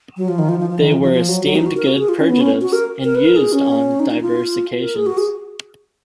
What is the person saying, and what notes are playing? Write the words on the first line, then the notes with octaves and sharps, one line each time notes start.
They were esteemed good purgatives, and used on diverse occasions.
F#3
F3
D#3
F3
F3
F3
D#3
F3
F3
F3
F#3
F#3
D#4
F#4
A#4
F#4
G#4
F4
C#4
B3
C#4
F#4
A#4
A#4
B4
A#4
G#4
C#4
D#4
D#4
F4
A#4
G#4
F#4
G#4